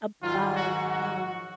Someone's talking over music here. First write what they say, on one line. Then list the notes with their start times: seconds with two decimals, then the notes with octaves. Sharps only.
about, um
0.23 G#2 D#3 F#3 F4
0.56 F#4
0.89 F#4